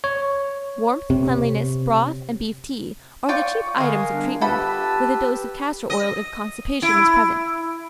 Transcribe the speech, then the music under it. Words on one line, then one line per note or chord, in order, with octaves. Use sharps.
Warmth, cleanliness, broth, and beef-tea, are the chief items of treatment, with a dose of castor oil if constipation is present.
C#5
C3
F4 D5 G5 C#6
D3 G#3 G#4 A#4 F5
G3 B3 D4
F4 G4 A4 B4 F#5 A5 B5 E6
D#5
E4